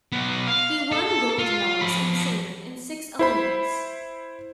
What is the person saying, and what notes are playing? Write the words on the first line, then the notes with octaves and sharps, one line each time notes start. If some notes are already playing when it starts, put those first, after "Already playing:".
He won gold medals in sabre in six Olympics.
B1 B3
F5
A4
F4
F3 B5
E4 C5 B5